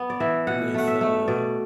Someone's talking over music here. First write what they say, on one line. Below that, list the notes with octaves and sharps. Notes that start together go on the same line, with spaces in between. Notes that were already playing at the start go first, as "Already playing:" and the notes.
with, uh,
Already playing: B3
D5
E3 E5
B2 F#5
A3 F#5
E5
A3
B2 D5